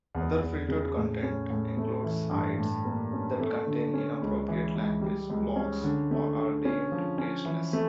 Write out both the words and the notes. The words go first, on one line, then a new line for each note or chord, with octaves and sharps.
Other filtered content includes sites that contain "inappropriate language", "blogs", or are deemed "tasteless".
E2
E2
C#3
A2
C#4
A2
A3
E3
G2
A2
A#3
C#4
A3
D3
C#4
C#2
E3
C#2
G3
C#2
C#4
D3
A3
D3
C#4
F3
C#4
E3
A3